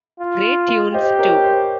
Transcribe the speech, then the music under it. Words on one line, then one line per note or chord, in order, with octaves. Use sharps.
Great tunes too.
F4
G4 C5 D#5
A#4 C#5
C5